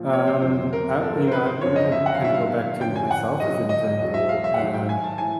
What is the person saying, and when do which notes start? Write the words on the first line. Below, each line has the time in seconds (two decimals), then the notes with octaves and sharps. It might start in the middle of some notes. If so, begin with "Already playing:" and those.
Um, uh, you know, I'm I'm gonna, kinda, go back to myself as an example, um,
Already playing: A#2 F3
0.13 C#5
0.27 C5
0.42 F2 D3 F#3 C5
0.73 A#4
1.01 G#2 F3 A4
1.17 A#4
1.28 C5
1.31 B4
1.46 C5
1.61 F#2 D3 F3 C#5
1.76 D#5
1.92 E5
2.06 F#5
2.15 F5
2.21 G2 D#3 F#3 E5
2.34 F5
2.81 F#2 D3 F3 G5
2.96 G#5
3.11 F#5
3.40 G2 D3 F#3 D#5
3.54 D#5
3.69 D#5
3.84 D#5
3.99 E2 B2 F#3 D#5
4.14 E5
4.29 F5
4.44 E5
4.54 F#5
4.59 G#2 D#3 F#3 F5
4.74 G5
4.89 G#5
5.04 A5
5.18 A2 E3 G#5